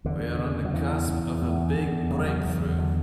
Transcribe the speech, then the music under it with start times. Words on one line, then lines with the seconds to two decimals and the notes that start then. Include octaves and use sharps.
We are on the cusp of a big breakthrough.
0.05 E2 D3
0.39 C#3
0.65 F#3
0.73 E2 E3
1.08 E2
1.42 E2
1.76 E2
2.10 C#3 F#3
2.18 G3
2.25 F#3
2.44 E2
2.78 D3 F#3